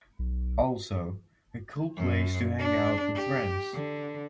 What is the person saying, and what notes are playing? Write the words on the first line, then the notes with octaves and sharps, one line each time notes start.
Also, a cool place to hangout with friends.
B1
F#2
D4
G4
D3